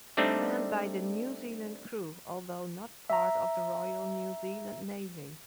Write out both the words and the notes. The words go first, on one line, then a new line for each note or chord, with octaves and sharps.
Manned by New Zealand crew, although not part of the Royal New Zealand Navy.
G3 A3 C4 D4 D#4
E5 A#5